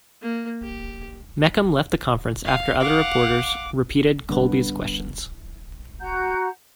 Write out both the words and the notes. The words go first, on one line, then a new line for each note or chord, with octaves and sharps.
Mecham left the conference after other reporters repeated Kolbe's questions.
A#3
G4
F5
F5 F#5 D6
G2 D3 B3
F#4 F#5 A#5 G6